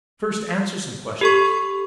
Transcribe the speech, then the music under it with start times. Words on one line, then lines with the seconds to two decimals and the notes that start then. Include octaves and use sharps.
First answer some questions.
1.21 G4 A4 C#6